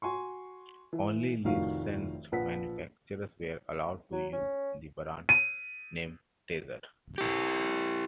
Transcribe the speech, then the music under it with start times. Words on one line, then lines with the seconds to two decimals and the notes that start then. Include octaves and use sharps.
Only licensed manufacturers were allowed to use the brand name "Tessar".
0.02 F#4 G#5 C6 C#6
0.93 E3
1.44 F1 A2 D#3 F3 F#4 F5
2.32 A#1 F3 B4 F#5 B6
4.12 F#3
4.33 C#4
5.29 D#7
7.18 E4 G4